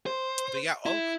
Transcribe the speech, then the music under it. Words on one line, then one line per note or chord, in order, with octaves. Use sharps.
But, yeah, oh
C5
E4